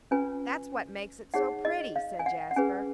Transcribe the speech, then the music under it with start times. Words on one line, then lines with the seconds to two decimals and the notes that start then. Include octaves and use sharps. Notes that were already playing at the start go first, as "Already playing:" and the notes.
"That's what makes it so pretty," said Jasper.
0.11 C#4 F4 B4 G#5
1.34 D#4 G#4 C#5 F#5
1.65 D#5
1.96 F5
2.19 G#5
2.26 F#5
2.51 F#5
2.56 C#4 G#4 B4 G#5